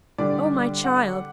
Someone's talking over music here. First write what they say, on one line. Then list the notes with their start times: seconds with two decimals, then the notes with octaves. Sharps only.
Oh, my child!
0.18 D3 G3 D4 D5
0.84 F#5